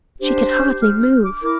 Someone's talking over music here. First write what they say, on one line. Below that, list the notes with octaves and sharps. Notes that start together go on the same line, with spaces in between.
She could hardly move.
D4 G4 C5
G6
F6
D6
E4 A#4 D6